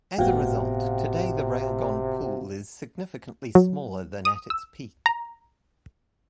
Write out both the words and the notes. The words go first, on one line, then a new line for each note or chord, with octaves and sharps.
As a result, today the Railgon pool is significantly smaller than at its peak.
G1 A2 C3 B3 F#4 F5 G5
F#3
D#6
E6
A#5